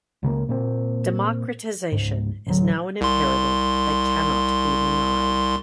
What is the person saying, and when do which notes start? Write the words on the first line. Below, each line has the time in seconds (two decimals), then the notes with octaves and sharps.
Democratisation is now an imperative that cannot be denied.
0.23 C#2 C#3 E3 A#3
0.49 A#2 A#3 C4
1.92 C#2 G#2
2.47 A1 D2 F#3
3.01 C2 C6